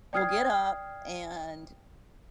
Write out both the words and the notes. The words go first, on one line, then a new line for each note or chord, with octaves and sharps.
will get up and
D5 G5 D#6 F6 G#6 C7